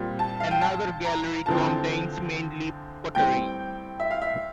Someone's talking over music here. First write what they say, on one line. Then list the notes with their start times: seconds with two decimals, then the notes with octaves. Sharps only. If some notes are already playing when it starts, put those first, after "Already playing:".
Another gallery contains mainly pottery.
Already playing: A#2 G3 C4
0.19 A5
0.40 F5
0.51 G5
0.61 A5
1.05 A#5
1.46 E2 D3 F3 C4 A5
3.15 A2 G3 C4 G5
4.00 E5
4.11 F5
4.22 E5